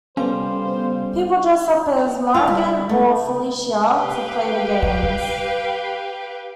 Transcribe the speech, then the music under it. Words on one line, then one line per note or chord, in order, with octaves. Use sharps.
People dress up as Morrigan or Felicia to play the games.
G3 B3 C#4 A4 C5 F5
F4
G3
A3
G4 B4 F5 G5